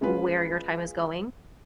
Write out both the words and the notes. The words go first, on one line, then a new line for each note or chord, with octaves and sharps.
where your time is going
G#3 C#4 F4 B4